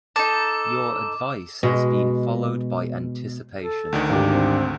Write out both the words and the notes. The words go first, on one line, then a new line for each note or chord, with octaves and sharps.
Your advice has been followed by anticipation.
D#4 A4 A5 D6
B2 G#3
A4
D2 D3 D#3
G#1 D4 D#4 G4
C4